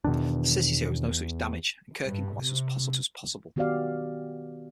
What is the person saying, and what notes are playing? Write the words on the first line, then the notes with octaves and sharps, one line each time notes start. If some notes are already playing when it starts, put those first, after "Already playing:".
The city shows no such damage, and Kirk inquires how this was possible.
E2 B2 D#3 D4
G2
C3
D#3 B3 F#4 G4 D5 F5